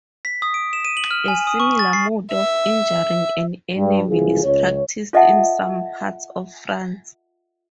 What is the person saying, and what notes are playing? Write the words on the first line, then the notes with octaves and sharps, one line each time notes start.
A similar mode of injuring an enemy is practiced in some parts of France.
B6
D#6
D7
E7
D#7
F#7
F6
G#5
D#6
C#6
A6
C7
E5
G2
F#1 C2 E3 F4 G#4
C#2 C#5
F4 A4 D#5 E5 F#5 A5